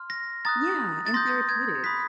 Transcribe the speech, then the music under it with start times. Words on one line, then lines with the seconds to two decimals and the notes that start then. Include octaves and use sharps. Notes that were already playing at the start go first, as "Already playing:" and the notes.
Yeah, and therapeutic.
Already playing: C6 F6
0.10 A#6
0.45 A#5 D#6 F#6 A6
1.07 A6
1.14 C6 D#6 G6 A#6
1.49 G#6
1.84 B5 D#6 F#6 B6